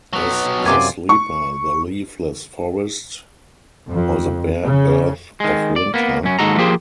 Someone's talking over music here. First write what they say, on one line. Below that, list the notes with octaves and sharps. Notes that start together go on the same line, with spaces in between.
Is the sleeper the leafless forest or the bare earth of winter?
F#3 B3
F#2 C3 F4 D5 G#5
C#6
F2
C#3
D#3 G#3
D5
A#3 B3
F#2 C#4
D#2 G#2 G#3 F#4 A4 A#5
F3 A#3 G4 G#4 C5